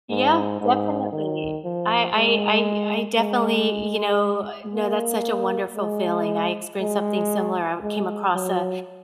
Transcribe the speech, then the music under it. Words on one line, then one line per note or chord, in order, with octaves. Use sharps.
Yeah, definitely. I I I I definitely, you know no, that's such a wonderful feeling, I experienced something similar, I came across a
G#2
G#2
D#3
F3
G#3
G#3
A#3
G#3
G#3
G#3
F#3